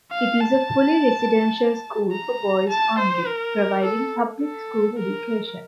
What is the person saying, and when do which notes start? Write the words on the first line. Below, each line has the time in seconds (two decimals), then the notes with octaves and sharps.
It is a fully residential school for boys only, providing public school education.
0.11 F5
0.40 A5
2.12 A#5
2.69 A5
2.98 C5
3.27 A#4
3.84 A4
4.41 A4
4.98 A#4